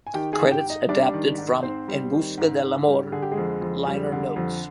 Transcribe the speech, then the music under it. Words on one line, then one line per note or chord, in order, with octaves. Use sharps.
Credits adapted from "En Busca del Amor" liner notes.
G#5
D#3 G4 G5
G#4 G#5
G#2
G4 G5
G#2
D#4 D#5
G3 D4 D5
D#3
G#2
G#2 C4 C5
G3
D#3
G#2
G#2
G3
D3 G#4
G4
G#3 G#4
F2
F2
G3
D3
F2